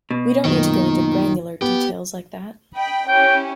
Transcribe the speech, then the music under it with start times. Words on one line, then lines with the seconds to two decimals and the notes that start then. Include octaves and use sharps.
We don't need to go into granular details like that.
0.11 B2
0.45 F#2 A#2 D#3
1.62 B3 G4
2.74 D#5 G5 B5
3.08 C#4 E4 G4 G5